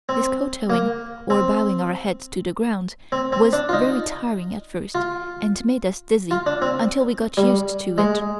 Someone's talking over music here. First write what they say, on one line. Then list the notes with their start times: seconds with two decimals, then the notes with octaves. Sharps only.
This kowtowing, or bowing our heads to the ground, was very tiring at first and made us dizzy, until we got used to it.
0.09 C4
0.70 A#3
1.30 C4
3.12 C4
3.32 C4
3.53 D4
3.69 F4
3.73 D#4
4.95 F4
6.31 F4
6.46 D4
6.62 C4
7.37 G3
7.98 G#3